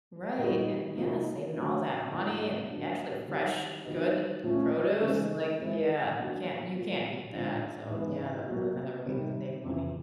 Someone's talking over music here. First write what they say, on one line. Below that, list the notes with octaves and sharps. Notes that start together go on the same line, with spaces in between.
Right, and yeah, saving all that money and actually fresh good produce, like, yeah, you can't you can't beat that. So yeah, that's another way to save money.
A#2 G3 A#3 D#4 F#4
C3 F3 A#3 D#4 F#4
D3 F#3 A3 C4
G#2 F3 A#3
D3 F#3 A#3 D4
D#3 G3 C4 E4 G4
D#3 F#3 B3 D#4
A#2 F3 A3 C#4
C#3 E3 G#3 C4 D#4
E3 G#3 C4 E4
B2 F#3 A#3 D4 F#4
A#2 F3 A#3
D3 F3 G#3 C4 D#4
G#2 E3 G#3 B3 E4
B2 F#3 A#3
C3 D#3 G3
F2 C#3 E3